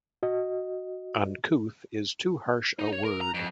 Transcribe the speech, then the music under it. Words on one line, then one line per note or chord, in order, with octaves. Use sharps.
Uncouth is too harsh a word.
F#4 D#5
D#4
C#5
A#4
A#5
F2